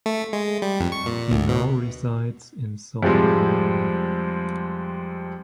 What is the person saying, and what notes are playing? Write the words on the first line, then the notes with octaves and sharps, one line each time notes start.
He now resides in Saudi Arabia.
A3
G#3
G3
F2
C#6
A#2
D2
B2
F2 C3 F3 G3 G#3 C4